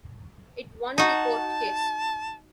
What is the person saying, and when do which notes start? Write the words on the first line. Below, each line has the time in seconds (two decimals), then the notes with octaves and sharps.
It won the court case.
0.98 D#4 F#4 A5